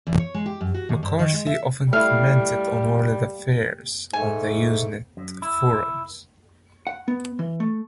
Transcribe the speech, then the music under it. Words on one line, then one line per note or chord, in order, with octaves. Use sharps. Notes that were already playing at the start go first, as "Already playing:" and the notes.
McCarthy often commented on world affairs on the Usenet forums.
E2
C#5
G#3
G4
F#2
F#4
D#2
G2
D#3
G#3
E5
G3 A3 E4 F5
G#2 A3 G#5
F#2
E4
F#5
B3
E3
A3